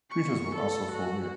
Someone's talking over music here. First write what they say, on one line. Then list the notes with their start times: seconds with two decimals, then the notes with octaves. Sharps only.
Peters was also for Witt.
0.10 C#6
0.55 A4
0.92 F#4